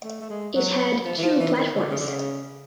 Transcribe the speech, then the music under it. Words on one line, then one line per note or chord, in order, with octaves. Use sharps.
It had two platforms.
A3
A3
G#3
F#3
F3
E3
F3
E3
D#3
D3
C#3
D3
C#3